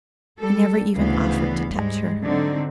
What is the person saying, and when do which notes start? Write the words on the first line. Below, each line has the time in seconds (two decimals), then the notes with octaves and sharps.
He never even offered to touch her.
0.38 G3 A4
0.95 D2 C#3 E3 B3 F5
1.70 G#2 G3 G#3
2.22 D3 F#3 C4 D#4